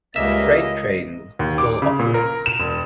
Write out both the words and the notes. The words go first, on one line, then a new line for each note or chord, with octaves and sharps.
Freight trains still operate.
C#2 C#3 G3 A#3 D#5 E5
D#2
D6
C#3
A#2
A#4
E7
E1